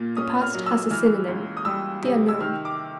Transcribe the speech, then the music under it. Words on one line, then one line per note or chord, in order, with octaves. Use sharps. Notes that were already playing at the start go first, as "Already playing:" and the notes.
The past has a synonym, the unknown.
Already playing: A#2 A#3
C#4 D#6
F6
F#3
E6
E3 F6
C#2
D#6
G3 E6
C3
E6
D#3 F6
D6